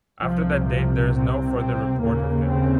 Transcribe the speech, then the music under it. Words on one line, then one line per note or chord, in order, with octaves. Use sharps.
After that date, there is no further report of him.
C2 C3 F3
F3
C4
C4
D#2 C#3 A#3
C4